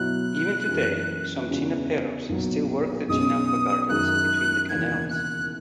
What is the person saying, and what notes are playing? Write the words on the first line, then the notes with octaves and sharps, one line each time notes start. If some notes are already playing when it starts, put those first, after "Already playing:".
Even today, some "chinamperos" still work their chinampa gardens between the canals.
Already playing: B2 F#3 B3 E4 F#6
F#2 E3 A#3 C#4
E2 C#3 G#3 C#4 F#4
B1 A#2 F#3 B3
B1 B2 G#3 C#4 D#6
F#2 D#3 G#3 D#4 F#6
E1 D#2 C#3 E3 A#3 G#6
F#6